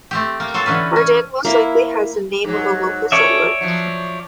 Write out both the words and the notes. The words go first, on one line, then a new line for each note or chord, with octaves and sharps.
Bardane most likely has the name of a local settler.
A3 C4 G4
A#3
F#3 F4 A4
D3 E3 C#4 B4
C#4
A#3 E4
G#2 F#3
C#4 A4 C#5 D5 E5
F3 F#3